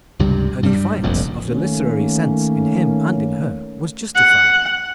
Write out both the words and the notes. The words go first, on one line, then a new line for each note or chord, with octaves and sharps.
Her defiance of the literary sense in him and in her was justified.
C#2 G2 C3 G3
G2 G3
F1 A#1 F2
D#3 A3 A#3 C#4
F#5